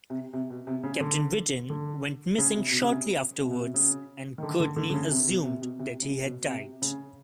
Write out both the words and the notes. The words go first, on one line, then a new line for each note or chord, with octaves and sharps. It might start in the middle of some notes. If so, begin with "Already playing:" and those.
Captain Britain went missing shortly afterwards and Courtney assumed that he had died.
C3
C3
B2
C3
C#3
D3
D3
C#3
C3
B2
C#3
C3
C3
B2
C3
C#3
D#3
D3
D3
D3
D3
C#3
C3
B2
C3
B2
C3
C#3
B2
C3
C#3